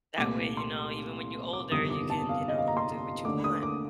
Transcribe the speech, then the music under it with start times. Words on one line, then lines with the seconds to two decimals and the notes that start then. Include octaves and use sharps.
That way, you know, even when you older, you can, you know, do what you want,
0.18 C2 A#2 A3 D6
0.57 C6
1.53 D6
1.71 G1 F2 C3 D#3 D#6
1.90 D6
2.10 A5
2.29 F5
2.48 D#5
2.58 F5
2.67 A#5
2.77 C6
3.25 D#2 D3 A3 D6
3.44 D#6
3.63 D6